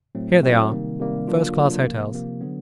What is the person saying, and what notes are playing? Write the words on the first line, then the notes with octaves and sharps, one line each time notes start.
Here they are--first-class hotels.
A2 F#3 A3 C4
A2 F#3 A3 C4
C3 D#3 G3 A#3
C3 D#3 G3 A#3
D3 F#3 A#3 D4 F4
D3 F#3 A#3 D4 F4
C3 F3 A#3
C3 F3 A#3
D3 F#3 B3